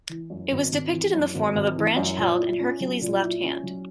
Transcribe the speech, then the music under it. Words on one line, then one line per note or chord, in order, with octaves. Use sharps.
It was depicted in the form of a branch held in Hercules' left hand.
E3
F#2
G#1
G#1
E3
F#2
G#1
G#1
E3
F#2
A#2
E4
C#4
F#3
A#2
E4
C#4
F#3